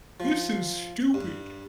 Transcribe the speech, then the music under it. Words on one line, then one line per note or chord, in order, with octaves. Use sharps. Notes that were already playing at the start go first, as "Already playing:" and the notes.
this is stupid.
F3
G2